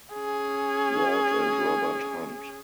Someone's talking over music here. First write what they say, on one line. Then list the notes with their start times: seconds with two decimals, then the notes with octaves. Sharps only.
Ward and Robert Hunt.
0.14 C#4 G#4